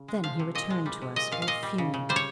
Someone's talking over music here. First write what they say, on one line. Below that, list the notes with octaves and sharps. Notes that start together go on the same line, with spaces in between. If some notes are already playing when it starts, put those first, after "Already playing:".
Then he returned to us, all fuming.
Already playing: C#3
G#3
F3 F5
C3
A#2 D#5
G#3
G3
C3
A#2 D#5
A#2 F5
F5
A#2 D#5
G3
C#3
C#3
G3 C5
C#5